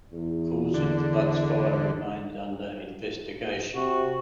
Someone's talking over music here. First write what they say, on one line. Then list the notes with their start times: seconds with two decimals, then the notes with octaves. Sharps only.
The cause of the Butts fire remains under investigation.
0.12 E2
0.74 D3
3.76 C3 F#4